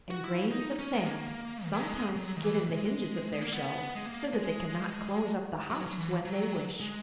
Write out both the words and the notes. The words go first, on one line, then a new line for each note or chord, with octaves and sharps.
And grains of sand sometimes get in the hinges of their shells, so that they cannot close up the house when they wish.
F#4
E4
D#4
C#4
G#3
A#3
D#3
E3
F#3
G#3
F#3
D#3
E3
G#3
G#3
A#3
B3
G#3
A#3
G#3
F#3
F#3
E3
F#3
G#3